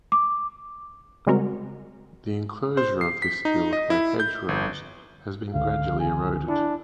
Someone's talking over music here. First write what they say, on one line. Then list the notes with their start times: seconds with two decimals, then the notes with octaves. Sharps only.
The enclosure of this field by hedgerows has been gradually eroded.
0.12 D6
1.27 C#3 G3 G#3 C4 F#4 A#4
2.77 C5
3.01 C7
3.22 B6
3.45 D#4
3.73 D#5
3.90 E4
4.20 G6
4.48 G1
5.54 C#2 D3 F5
6.00 G#5
6.48 D4 E4